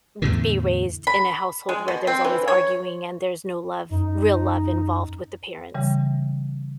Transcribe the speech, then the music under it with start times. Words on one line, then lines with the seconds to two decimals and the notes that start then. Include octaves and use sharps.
n be raised in a household where there's always arguing and there's no love real love involved with the parents."
0.22 E2 A2 D3
1.07 B5
1.69 G#3
1.88 B2
2.07 C4
2.24 E3
2.48 C#5
3.91 F#2 D#4
5.74 C#3 E3 G3